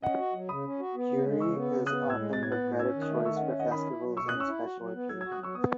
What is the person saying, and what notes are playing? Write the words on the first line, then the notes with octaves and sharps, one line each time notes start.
Puri is often the bread of choice for festivals and special occasions.
C#4 D#5 F#5
F#4
F#3
C#3 B5 D#6
C#4
F#4
B3
C#3
G#3
C#3 C#6 E6
B3
C#3
B3 D#6 F#6
A2
E6 G#6
G#3
A2 A6
G#6
B3 F#6 A6
A2
C#4 E6 G#6
D#3
D#6 F#6
A3
D#3 C#6 E6
D#5 F#5
C#4
C#5 E5
D#3 D#5 F#5
C#4 B5 D#6
E4
F#3
B2 C#6 E6
D#6 F#6
C#4
C#6 E6
E4
F#4
F#3
B3
F#3 E6 G#6
E6 G#6
F#4
D#6 F#6
F#3 C#6 E6
B3 D#6